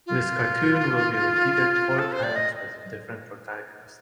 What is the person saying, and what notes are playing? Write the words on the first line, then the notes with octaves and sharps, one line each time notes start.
This cartoon will be repeated four times with different protagonists.
F4
A4
C5
D5
D#5